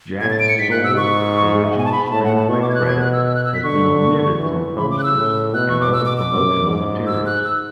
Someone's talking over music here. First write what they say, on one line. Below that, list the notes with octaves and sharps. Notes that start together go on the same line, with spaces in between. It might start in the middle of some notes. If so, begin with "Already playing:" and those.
Jack's sole original screenplay credit has been omitted from posters and other promotional materials.
A2 G#6
A6
D7
C#7
G#2 B6
F#6
E6
C#6
E5
F#5
G#5
A5
B5
B5
A2 A5
F#5
A5
B2 C#6
D6
G#6
F#6
G#6
F#6
E6
E6
F#6
E6
B6
D3 C#6
E3
C#3 B5
D6
F#6
E6
A2
B2 F#6
C#6
D6
E6
D6
D6
F#2
G#2
E6
F#6
E6